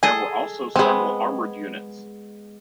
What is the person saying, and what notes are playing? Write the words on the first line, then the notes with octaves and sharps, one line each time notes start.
There were also several armoured units.
G#4 A4 D#5 G#5
G#3 B3 C4 G#4